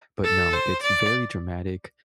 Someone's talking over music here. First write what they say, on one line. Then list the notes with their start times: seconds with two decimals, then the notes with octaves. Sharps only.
But, no, it's very dramatic,
0.24 A4
0.53 C5
0.83 D5